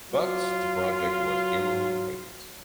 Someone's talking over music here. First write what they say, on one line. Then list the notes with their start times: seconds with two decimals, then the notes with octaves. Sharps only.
But the project was ill-fated.
0.11 F#3 F4